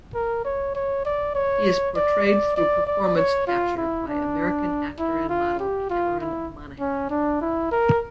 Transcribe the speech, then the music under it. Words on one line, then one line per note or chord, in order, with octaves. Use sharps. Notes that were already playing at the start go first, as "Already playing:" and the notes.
He is portrayed through performance capture by American actor and model Cameron Monaghan.
A#4
C#5
C#5
D5
C#5
D5
D5
D5
D5
C#5
F4
E4
D4
E4
F4
G4
F4
E4
C#4
D4
E4
A#4